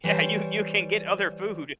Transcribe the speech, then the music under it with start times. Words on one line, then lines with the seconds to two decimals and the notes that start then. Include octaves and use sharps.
Yeah, you you can get other food.
0.04 E3 G3 C5 C#5